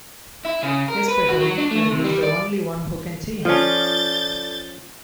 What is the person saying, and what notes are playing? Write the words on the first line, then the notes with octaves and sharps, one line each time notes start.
Especially as he's the only one who can see him.
E4
C#3
A#4
B4
F#4
F#3
D4
A3
C3
G3
D5
F3 C#4 F4 A4 D5 A5 G6 A6